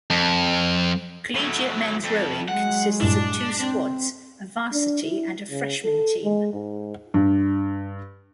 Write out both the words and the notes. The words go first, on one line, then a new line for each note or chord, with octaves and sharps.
Collegiate men's rowing consists of two squads, a varsity and a freshman team.
F2
A2 F#3
F2
F#3 G#3 F#5
G2 A#2 D4 E4
C4
D4
E4
C#3
A4
G#3
G#2
G2